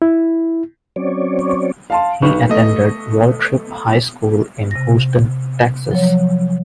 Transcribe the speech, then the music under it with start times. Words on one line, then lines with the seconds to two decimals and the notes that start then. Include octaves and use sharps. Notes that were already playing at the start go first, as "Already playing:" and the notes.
He attended Waltrip High School in Houston, Texas.
0.02 E4
0.96 F#3 C4 C#4 C#5 D5
1.90 F5 A5 C6
2.22 B1 B4 C#6
2.49 A3 D#5
4.71 C3 A#6
5.91 F3 F#3 C#5